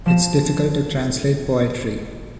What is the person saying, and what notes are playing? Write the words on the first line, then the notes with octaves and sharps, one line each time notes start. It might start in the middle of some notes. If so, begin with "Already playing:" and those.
It's difficult to translate poetry.
F3 E7